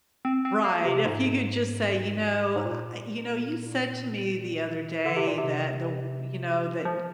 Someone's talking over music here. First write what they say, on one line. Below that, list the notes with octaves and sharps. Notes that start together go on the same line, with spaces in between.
Right, if you could just say, you know, I you know, you said to me the other day that the w you know, that
C4
C4
A#3
C3
G#2
G#2
A#2
D3
C3
A#2
C3
F3